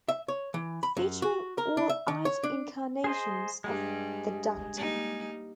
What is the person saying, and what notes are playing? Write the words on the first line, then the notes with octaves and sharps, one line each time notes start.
Featuring All Eight Incarnations of The Doctor.
E5
C#5
E3
B5
F#2
F#4
A#4
D4
E5
D#3
C#5
D4
G#4 C5 D#5
G2 G3 G#3
G3 A#3 D#4